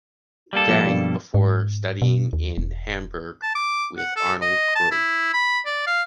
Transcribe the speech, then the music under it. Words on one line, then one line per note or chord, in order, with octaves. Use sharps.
Gänge, before studying in Hamburg with Arnold Krug.
G3 A#3 A4
A#2 F3 C#7
G2 B2 F3
G#2
B2
D#2
E1
A5
D6
F#5
A4
D#5
A5
E4
B5
D5
F5